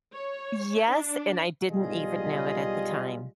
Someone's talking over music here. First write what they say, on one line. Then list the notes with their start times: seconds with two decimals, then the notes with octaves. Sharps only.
Yes, and I didn't even know it at the time.
0.13 C#5
0.90 D4
1.68 B1 G3 F4 G#4 D#5